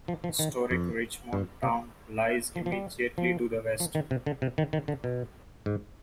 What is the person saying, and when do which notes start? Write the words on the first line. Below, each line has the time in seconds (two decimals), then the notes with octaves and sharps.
Historic Richmond Town lies immediately to the west.
0.08 F3
0.24 F3
0.39 D#3
0.71 F2
1.33 G2
1.63 C3
2.56 F3
2.66 F3
2.72 G3
3.18 F3
3.80 F3
3.95 D#3
4.11 C3
4.26 D3
4.42 C3
4.58 D#3
4.73 D#3
4.88 D3
5.04 B2
5.66 G#2